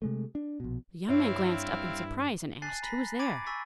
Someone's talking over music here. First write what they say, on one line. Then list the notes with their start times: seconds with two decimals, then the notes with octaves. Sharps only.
The young man glanced up in surprise, and asked who was there.
0.02 C3 G#3 A3
0.35 D4
0.60 A#1 B2
1.09 G2 C4 E4 C#5 F5
2.62 G#5 A5 F#6 A6 C7
2.82 A#5 B5 A#6 B6
3.19 B5 D6 G#6 A6 D7 D#7
3.46 G#5 B5 C#6 E6 A6 B6